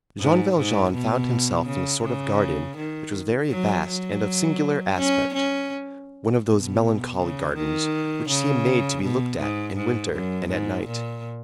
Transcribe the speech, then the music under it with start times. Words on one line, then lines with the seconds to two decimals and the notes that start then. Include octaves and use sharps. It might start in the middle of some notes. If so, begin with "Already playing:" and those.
Jean Valjean found himself in a sort of garden which was very vast and of singular aspect; one of those melancholy gardens which seem made to be looked at in winter and at night.
0.20 G#2
0.57 G#2
0.94 B2
1.67 C#3
2.04 C#3
2.77 D#3
3.50 F#3
3.88 F#3
4.98 C#4
5.34 C#4
6.45 B2
7.18 C#3
7.56 D#3
8.29 C#3
9.03 B2
9.39 G#2
9.76 G#2
10.13 F#2
10.49 G#2
10.86 A#2